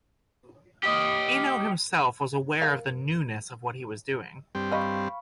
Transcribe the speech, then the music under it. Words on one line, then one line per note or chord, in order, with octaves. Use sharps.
Eno himself was aware of the newness of what he was doing.
G4 D#5
A#4 F5
G2 G3 C4
B4 D#5 F5 B5 C#6